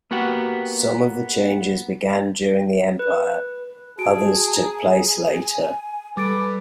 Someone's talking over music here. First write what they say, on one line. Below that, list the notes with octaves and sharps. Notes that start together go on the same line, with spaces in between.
Some of the changes began during the Empire, others took place later.
A#3 B3 F#4 G4 F#5
B4
F#4 G#4 A5 D7
G#5 A#5
G3 A4 B4 D6 A6 D7